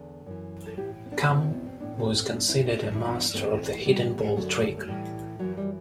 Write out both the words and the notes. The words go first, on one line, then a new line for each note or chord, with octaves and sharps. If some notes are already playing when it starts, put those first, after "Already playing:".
Kamm was considered a master of the hidden ball trick.
Already playing: E2 D3
F#2 E3
A4
A2 E3 E4 G4
C4
B3 D4
D4
E2 B2 C4 E4
B3
C4
A2 E3 B3 D4
A3 C4
A3 C4
G2 D3 B3 D4
C4 E4
C4 E4
G2 E3 D4
E4
B3 D4
A2 E3 A3 C4
A3
A2 E3 G3 B3
B3
F#2 D3 F#3 A3
A3
A2 E3 G3
F#2 E3 F#3
G3